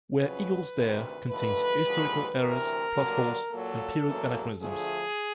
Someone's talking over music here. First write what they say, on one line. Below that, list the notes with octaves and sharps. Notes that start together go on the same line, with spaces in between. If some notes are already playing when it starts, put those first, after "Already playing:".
"Where Eagles Dare" contains historical errors, plot holes, and period anachronisms.
F2 C#3 F#3 B4
D2 C3 D#3
D#2 D3 F3 A3 B4
D#2 D3 F3 G#3
D2 C3 E3 A#4
G2 D3 F#3 A#3
A#2 F#3 A#3 A4
E2 C#3 F#3 A#3
D2 D3 F3 A3 G#4